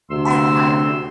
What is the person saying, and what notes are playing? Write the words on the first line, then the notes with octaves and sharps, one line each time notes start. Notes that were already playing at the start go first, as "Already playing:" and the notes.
And I'm
D2 C3 C6 E6